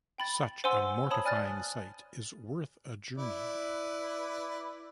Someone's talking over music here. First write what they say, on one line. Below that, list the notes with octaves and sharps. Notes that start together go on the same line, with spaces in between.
Such a mortifying sight is worth a journey.
G5 B5 A6
C5 F#5 G#5 C6 E6
C#5 A5 B5 D#6
D5 G#5 F6 F#6 A6
E4 B4 D5